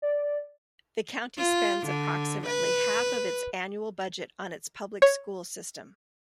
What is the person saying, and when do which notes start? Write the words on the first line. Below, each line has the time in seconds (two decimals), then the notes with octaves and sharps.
The county spends approximately half of its annual budget on its public school system.
0.02 D5
1.37 F4
1.87 D3
2.47 B4
5.02 C#5